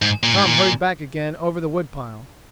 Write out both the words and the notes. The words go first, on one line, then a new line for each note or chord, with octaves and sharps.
Tom hurried back again over the wood pile.
G#2
A#2
G#2
A#2